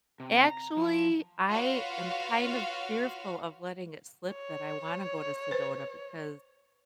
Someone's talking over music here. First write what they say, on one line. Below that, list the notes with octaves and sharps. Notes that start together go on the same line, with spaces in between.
actually, I am kind of fearful of letting it slip that I wanna go to Sedona because
C3
A#5
F3
F4 F#4 B4 C#5 F5
C#5
B4 C5